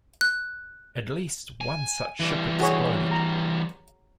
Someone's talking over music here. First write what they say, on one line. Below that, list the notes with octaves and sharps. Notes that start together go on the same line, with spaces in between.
At least one such ship exploded.
F#6
G#5
E3 G3
F#4 G#4 C#5
A#5